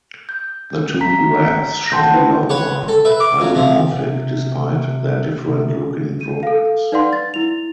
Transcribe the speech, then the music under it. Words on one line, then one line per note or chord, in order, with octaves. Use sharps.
The two graphs shown below are isomorphic, despite their different looking drawings.
G6
A#5 B6
F#5 G5 A5 C6 G6
E4 B4 C5
B4 C#5 F#5
A4
B4 E5
D6
F2 F#3
C3 F3
C3
C3
D#7
A4 F5
D#4 B4 D5 F5 F#5 C6
A6
E4 F7